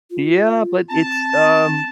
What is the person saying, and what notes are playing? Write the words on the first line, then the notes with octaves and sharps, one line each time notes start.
Yeah, but it's, um
F4
C4 A5